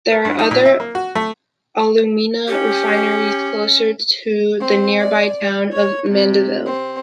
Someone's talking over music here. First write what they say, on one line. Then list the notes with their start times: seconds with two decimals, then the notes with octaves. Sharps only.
There are other alumina refineries close to the nearby town of Mandeville.
0.12 A#4
0.25 G2
0.39 D#4
0.51 A#2
0.66 E5
0.80 A#3
0.95 F#4
1.15 A3
2.48 C#4 G4
4.60 C4
4.99 D5
5.71 C#5
6.08 C3
6.65 C4